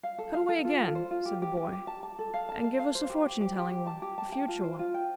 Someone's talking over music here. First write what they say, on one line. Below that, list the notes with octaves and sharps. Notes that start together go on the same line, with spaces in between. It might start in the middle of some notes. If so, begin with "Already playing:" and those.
'Cut away again,' said the boy, 'and give us a fortune-telling one; a future one.'
F5
A4
F5
A4
F4
F4
C5
F4
G4
G4
G4
G4
A5
A5
A4
F5
A5
F5
F5
C5
G4
G4
G4
G4
G4
A5
G4
A5
G5
F4
C5
F4
G5